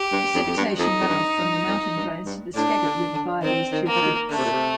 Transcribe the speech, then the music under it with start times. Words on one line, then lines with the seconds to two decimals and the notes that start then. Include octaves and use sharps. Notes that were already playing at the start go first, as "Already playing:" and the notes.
Precipitation runoff from the mountain drains to the Skagit River via these two creeks.
Already playing: G4
0.12 G2
0.35 F2
0.47 F2
0.57 G2
0.78 F2 D#4
1.01 F2
1.08 G2
1.38 G2
1.67 F2
1.96 G2
2.26 G2
2.55 A2 D4
2.84 D3
3.13 D3
3.42 D#3 C4
3.72 D#3
3.86 A#3
3.96 F3
4.02 D#3
4.30 D3 A3
4.38 C3
4.45 A#2
4.52 C3